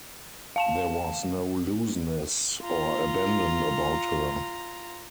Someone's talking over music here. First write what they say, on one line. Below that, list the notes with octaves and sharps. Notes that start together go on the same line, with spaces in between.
There was no looseness or abandon about her.
F5 A5 E7
F4 A#5